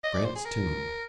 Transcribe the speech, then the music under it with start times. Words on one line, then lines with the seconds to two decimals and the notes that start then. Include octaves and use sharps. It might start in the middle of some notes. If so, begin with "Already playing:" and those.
Grant's Tomb.
0.04 D#5
0.14 D5
0.25 C5
0.36 G#4
0.46 A#4